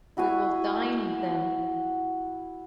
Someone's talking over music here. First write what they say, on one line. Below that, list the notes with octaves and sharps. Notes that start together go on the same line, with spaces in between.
We will dine, then.
E4 F#4 F5 G#5